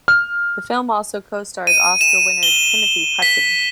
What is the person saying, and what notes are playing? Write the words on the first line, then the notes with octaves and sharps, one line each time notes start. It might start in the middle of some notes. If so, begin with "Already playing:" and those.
The film also co-stars Oscar winner Timothy Hutton.
F6
D#7
E7
G7
B6